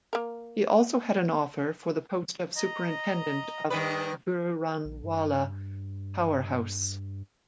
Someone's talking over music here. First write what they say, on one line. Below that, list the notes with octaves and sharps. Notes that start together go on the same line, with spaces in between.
He also had an offer for the post of superintendent of Gujranwala Power House.
A#3 A#4
D#5 A#5
G2 D#3 B4 D5 D#6
A#1
G2